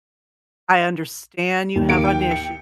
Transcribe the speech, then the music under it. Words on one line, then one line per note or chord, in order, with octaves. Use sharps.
"I understand you have an issue.
D#2
A#3 D7
G5
C#7